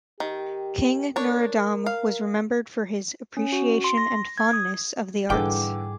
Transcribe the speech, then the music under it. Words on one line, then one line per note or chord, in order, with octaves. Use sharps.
King Norodom was remembered for his appreciation and fondness of the arts.
D#3 G4
D4 A#4 C#5
F5
C#4
F#4
C6
A#6
G#6
D#6
G#2 D3 E3 G3 D4 G#4 G5 D6